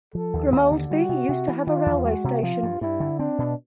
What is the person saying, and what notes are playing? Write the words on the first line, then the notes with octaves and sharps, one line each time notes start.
Grimoldby used to have a railway station.
F3 A4
D#2
D#2
D3
G3 F#4
C3
C3
E3
D#3 F4
E2
G#3 F#4
C3
F3 F4
G2
G2 E4
D3
C4 D4
B2